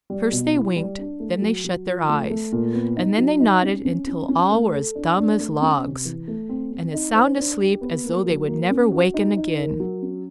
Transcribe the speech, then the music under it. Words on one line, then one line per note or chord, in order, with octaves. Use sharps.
First they winked, then they shut their eyes, and then they nodded until all were as dumb as logs, and as sound asleep as though they would never waken again.
G3
B2
E4
G3
D4
A3
F#3
F#3
F3
A3
A3
A#2
B3
D#4
F#3
D#4
C#4
C#4
C#4
C#4
A3
A4
D4
D4
A3
C#4
C3
E3
A3
C4
C4
D#4
C5
D4
G4
B3
A#3
F#3
A#3
C#4
F#4
D#4
D#4
A#4
F#3
C#4